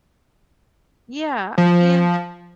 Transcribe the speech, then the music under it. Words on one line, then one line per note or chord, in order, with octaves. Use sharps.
Yeah, and
F3